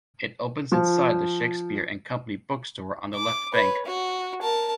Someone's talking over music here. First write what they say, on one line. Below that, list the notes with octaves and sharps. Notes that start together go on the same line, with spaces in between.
It opens inside the Shakespeare and Company bookstore on the Left Bank.
F3
D6
B4 C#5
F#4
A#4 A5